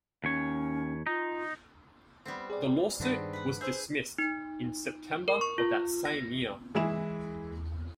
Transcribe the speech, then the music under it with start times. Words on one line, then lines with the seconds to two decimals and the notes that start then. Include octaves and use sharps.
The lawsuit was dismissed in September of that same year.
0.24 D#2 C#4 C#5
1.07 D#4 F4
2.25 G3 B3 C4
2.50 G#4 D5
3.00 G2 D#3 B3 C4 D4
3.33 B4 F#5
3.61 G#4 C5 E6 G6
4.19 D#4
5.28 A#4
5.41 C#6
5.58 F4
6.05 A#6
6.75 E3 G#3 E4 G#4 E7